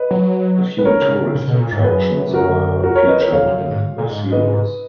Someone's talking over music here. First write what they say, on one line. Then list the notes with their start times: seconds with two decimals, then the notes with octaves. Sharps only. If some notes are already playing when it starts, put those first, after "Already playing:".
A few tourist attractions were featured in the series.
Already playing: B4 D#5
0.11 F#3
0.78 B4
0.85 A#4 C#5
1.02 C#3
1.35 C#3
1.47 B2
1.59 A#2
1.72 G#2
1.84 F#2 G#4 B4
2.34 F#4 A#4
2.83 F#4 A#4
2.95 A#4 C#5
3.08 B4 D#5
3.20 A#4 C#5
3.33 F2 C#5 F5
3.46 F#2
3.58 F#2
3.70 G#2
3.98 A#2
4.07 G#2
4.32 B4 D#5